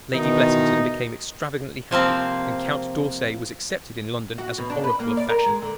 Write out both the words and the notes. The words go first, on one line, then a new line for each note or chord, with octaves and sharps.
Lady Blessington became extravagantly happy, and Count d'Orsay was accepted in London as an oracle of fashion.
B2 D#3 E3 D#4
C3 F3 A#3 C4
F#4
B2
D4
B4
A#3
D5
A#4
G#3
D3